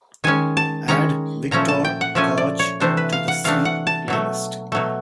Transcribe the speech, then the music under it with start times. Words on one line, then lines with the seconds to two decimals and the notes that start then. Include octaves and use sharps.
Add wiktor coj to the Sleep playlist.
0.24 D#3 G#3 C#4 G#5
0.57 A5
0.88 D#3 G#3 C#4 A#5
1.51 A#2 F3 A3 C#4 A#5
1.68 A5
1.85 G5
2.01 F#5
2.15 A#2 F3 A3 C#4 G#5
2.38 D5
2.59 C#5
2.80 C3 E3 A3 D4 C5
2.97 B4
3.12 F5
3.28 F#5
3.44 C3 E3 A3 D4 F5
3.65 F#5
3.87 A5
4.08 B2 F#3 A3
4.72 B2 F#3 A3